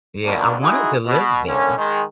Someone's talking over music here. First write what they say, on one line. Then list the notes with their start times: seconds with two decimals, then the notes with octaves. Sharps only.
Yeah, I wanted to live there,
0.24 F2 B2 D#3 A#3 D4
0.60 G#3 D#4 E4 F#4 G#4
1.06 B2
1.47 A2 D3 A#3 C#4
1.76 D#3 G#3